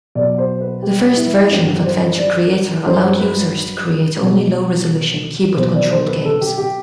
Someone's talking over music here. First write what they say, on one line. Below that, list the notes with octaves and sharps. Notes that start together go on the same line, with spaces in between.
The first version of Adventure Creator allowed users to create only low-resolution, keyboard-controlled games.
B2 F#3 D5
C5
B4
G4
E4
G2 F#3 G4
C5
D5
G2 F#3 C5
B4
B2 F#3
B2 F#3 C5
D5
C5
B4
A4
G4
G4